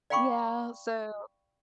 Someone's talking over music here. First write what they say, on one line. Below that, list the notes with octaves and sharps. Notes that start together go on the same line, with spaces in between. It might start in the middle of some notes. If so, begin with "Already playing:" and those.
Yeah, so,
D5 F5 G5 B5 C#6 D6